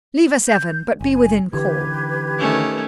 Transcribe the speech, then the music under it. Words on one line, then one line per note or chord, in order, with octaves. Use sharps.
Leave us, Evan, but be within call.'
G6
F#1 G#5
D3 E3 G4 B4 G#6
D#3 A3 C#4